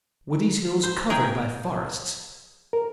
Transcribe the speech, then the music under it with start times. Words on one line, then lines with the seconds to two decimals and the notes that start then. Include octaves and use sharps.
Were these hills covered by forests?
0.83 C5
1.10 G#4 A#4 G5
2.73 A#4